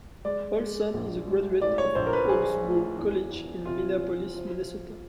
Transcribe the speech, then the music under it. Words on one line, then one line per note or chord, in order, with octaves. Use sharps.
Olson is a graduate of Augsburg College in Minneapolis, Minnesota.
G#3 D5
G#3
A#1
G#3
A2 D5
C#5
A#1 C5
A#4
B4
F3 G#4
A2
E2
E2
C3 F4
F3
F3
F3